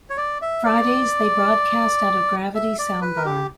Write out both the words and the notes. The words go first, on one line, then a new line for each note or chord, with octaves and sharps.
Fridays they broadcast out of Gravity Soundbar.
C#5
D5
E5
D5
E5
D5
B4
A#4
G4